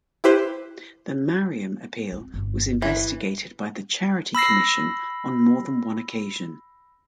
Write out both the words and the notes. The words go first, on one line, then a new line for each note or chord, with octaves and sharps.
The Mariam Appeal was investigated by the Charity Commission on more than one occasion.
E4 G4 B4 C5
C4
G1
E3
B5 E6 A#6 C7